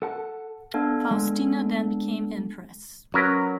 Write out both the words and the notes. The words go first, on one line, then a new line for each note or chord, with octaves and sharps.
Faustina then became empress.
A4 F#5 A5
B3 D4 A4 F5
G#3
F#3 C#4 A#4 B4